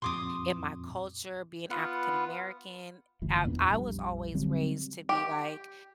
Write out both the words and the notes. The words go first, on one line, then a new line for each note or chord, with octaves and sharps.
in my culture, being African American, I I was always raised to be, like,
F2 A#2 C6 D6 D#6
B3 F4 B4 F#5
F#1 D2 E3
E2 A#2 B3 D4
A#1 F2 G3
D3 F#3 G3 C4
G4